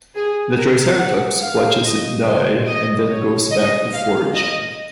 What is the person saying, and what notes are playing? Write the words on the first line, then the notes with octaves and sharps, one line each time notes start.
The "Triceratops" watches it die and then goes back to foraging.
G#4
A#4
F#5
F5
D#5
C5
D#5
C#5
D#5
F5
D#5